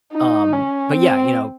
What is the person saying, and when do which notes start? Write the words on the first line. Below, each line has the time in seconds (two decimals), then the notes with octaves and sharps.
Um, but yeah, you know,
0.12 D#4
0.52 C#4
0.92 C4